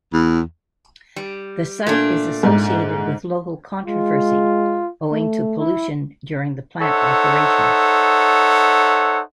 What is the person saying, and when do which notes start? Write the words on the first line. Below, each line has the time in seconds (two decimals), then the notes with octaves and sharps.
The site is associated with local controversy owing to pollution during the plant operations.
0.13 E2
1.16 G3
1.87 A#2 A3 D4
2.43 G#2
3.85 G#3 F4
5.12 A3
5.60 E4
6.81 D#4 A4 C5 C#5 E5 F#5